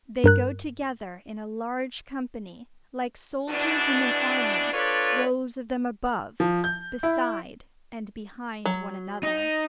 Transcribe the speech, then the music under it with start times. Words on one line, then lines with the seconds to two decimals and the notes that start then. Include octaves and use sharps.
They go together in a large company, like soldiers in an army, rows of them above, beside, and behind one another.
0.24 G2 A#4 F#6
3.50 D2 B2 E3 D4
4.73 D4 F4 A4 B4 C#5 D5
6.40 F3
6.64 G6
7.03 E4
8.66 F#3
9.23 D#4